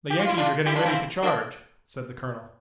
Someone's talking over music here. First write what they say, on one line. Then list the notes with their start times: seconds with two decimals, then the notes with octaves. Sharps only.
"The Yankees are getting ready to charge," said the colonel.
0.10 G4
0.19 F4
0.29 E4
0.38 D4 F4
0.66 E4 G4
0.75 D4 F4
0.86 C4 E4
1.23 A#3 D4